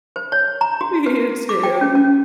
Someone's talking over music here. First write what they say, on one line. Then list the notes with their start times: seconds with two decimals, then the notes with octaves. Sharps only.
You too.
0.16 C5
0.32 C#5
0.61 A#5
0.81 F#4
1.06 B4
1.49 D6
1.63 G5
1.81 C#4
1.95 C#4